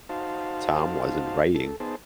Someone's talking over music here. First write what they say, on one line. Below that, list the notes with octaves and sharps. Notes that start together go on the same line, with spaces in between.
Tom wasn't writing.
D#4 F#4 C5 F5 A5
A4
B3 D#4 G#4 C5 A5